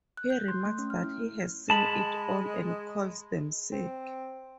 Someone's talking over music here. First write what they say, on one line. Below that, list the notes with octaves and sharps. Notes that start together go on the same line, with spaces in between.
He remarks that he has seen it all and calls them "sick".
F#6
G6
C6
A3
C#4
F6
E4
G#3 A5 B5
C4